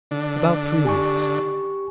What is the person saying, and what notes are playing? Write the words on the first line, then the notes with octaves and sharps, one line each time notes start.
"About three weeks."
D3
G4 G#5 C#6